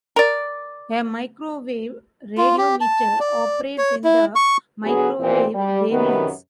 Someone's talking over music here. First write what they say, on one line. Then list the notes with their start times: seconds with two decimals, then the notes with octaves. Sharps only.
A microwave radiometer operates in the microwave wavelengths.
0.16 A#4 D5
2.37 F4
2.58 G4
2.81 A5
3.20 D5
3.78 C#5
4.04 E4
4.35 C#6
4.84 D3 F#3 B3 G#4 B4
5.19 D#2 A#2 E3 C4 C5
5.54 G3
5.91 F#2 C3 D#3 B3